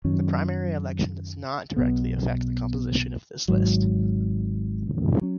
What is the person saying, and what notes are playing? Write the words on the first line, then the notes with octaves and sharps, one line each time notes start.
The primary election does not directly affect the composition of this list.
F#2 D#3 F#3 C#4
B1 B2 B3
G#1 G#2 F#3
F#3 C#4